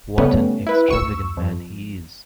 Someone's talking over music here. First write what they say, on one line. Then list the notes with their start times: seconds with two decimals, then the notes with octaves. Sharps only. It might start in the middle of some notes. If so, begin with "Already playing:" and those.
What an extravagant man he is.
0.18 C#3 G3 A3 B3 C#4
0.66 E4 B4
0.88 D2 C#6 E6
1.37 F2